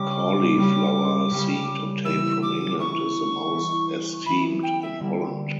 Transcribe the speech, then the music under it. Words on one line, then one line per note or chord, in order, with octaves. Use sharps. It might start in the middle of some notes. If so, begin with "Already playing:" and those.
Cauliflower seed obtained from England is the most esteemed in Holland.
Already playing: C#3 G3 C#4 D6
C#3 G3 C#4
C#3 G3 C#4
E3 B3 E4 E6
D6
E3 B3 E4 C#6
E3 B3 E4
E3 B3 E4 B5
G5
E5
D3 G3 A#3